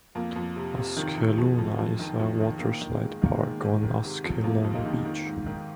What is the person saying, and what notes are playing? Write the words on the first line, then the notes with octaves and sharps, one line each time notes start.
Ashkeluna is a water-slide park on Ashkelon beach.
F2 A#3
F2
C3
C3
D#3
D#3
F2 G#3
F2
F2
D#3
F2
D#3
D#3 A#3
D#3
G#3
G#2
D#3 A#3
G#3
D#3
G#2 G#3
D#3
C3
F2
F2 A#3
F2
C4
A#3 D#4
D#3
D#3
G#2
D#3